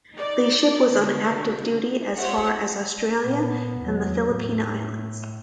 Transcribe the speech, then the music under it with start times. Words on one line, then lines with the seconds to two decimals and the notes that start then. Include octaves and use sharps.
The ship was on active duties as far as Australia and the Philippine Islands.
0.13 D#4 D5
0.90 B2 D3
2.17 F4 G4 C5 C#5 E5 F#5
3.21 A#2 B3
3.80 E2 F#3
4.25 A2